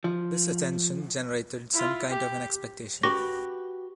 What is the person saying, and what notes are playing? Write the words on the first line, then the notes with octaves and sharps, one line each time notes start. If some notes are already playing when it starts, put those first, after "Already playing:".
This attention generated some kind of an expectation.
F3
E4 F4
G4
F#4 G4 B4 C#6 D6 A#6